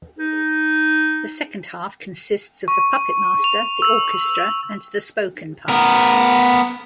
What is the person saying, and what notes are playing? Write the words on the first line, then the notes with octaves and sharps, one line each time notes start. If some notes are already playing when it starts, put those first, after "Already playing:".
The second half consists of the puppet master, the orchestra, and the spoken parts.
D#4
C#6
F7
E6
B3 A#4